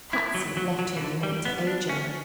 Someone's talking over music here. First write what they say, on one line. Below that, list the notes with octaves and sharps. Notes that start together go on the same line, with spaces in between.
Patsy left him and went to Ajo.
E4
F#3
F#3
F#3
E3
D3
G3
B3
D4
C#4